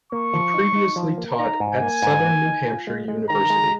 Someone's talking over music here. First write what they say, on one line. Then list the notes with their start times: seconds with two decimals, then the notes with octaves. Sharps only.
He previously taught at Southern New Hampshire University.
0.12 A#3 C#6
0.34 F3
0.54 D#4
0.75 D#4
0.96 F3
1.18 A#3
1.38 D#4 A#5
1.60 G#2
1.71 G#5
1.81 A#3
2.02 G#2
2.24 A#3
2.45 D#4
2.66 F4
2.87 G#3
3.08 G#3
3.29 D#3 A#5
3.50 G#3